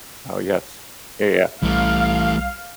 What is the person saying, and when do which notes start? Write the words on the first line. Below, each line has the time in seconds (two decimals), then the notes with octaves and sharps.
Oh, yes. Yeah, yeah.
1.62 B1 E3 G3 A3 F5